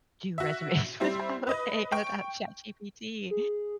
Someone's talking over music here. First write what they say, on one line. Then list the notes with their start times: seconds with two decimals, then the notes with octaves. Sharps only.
do resumes without a without ChatGPT?
0.38 F#4 E5
1.00 G3 C4 E4
1.47 B4 D#5
1.92 G5 C#6
3.31 G#4